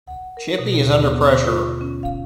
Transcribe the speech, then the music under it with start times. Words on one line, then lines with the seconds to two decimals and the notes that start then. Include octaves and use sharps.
Chippy is under pressure.
0.07 F#5
0.37 A#4
0.59 B2
0.81 D#2
1.02 B3
1.19 D3
1.44 F4
1.81 C#4
2.03 F5